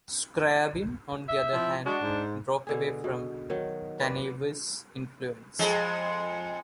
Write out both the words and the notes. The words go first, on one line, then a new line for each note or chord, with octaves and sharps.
Scriabin, on the other hand, broke away from Taneyev's influence.
E5
F3 C4 E4
G#3 D4 F#4
G#2
B2 D3 G#4
B2
D#3 F#3
B4 D5
F2 G#3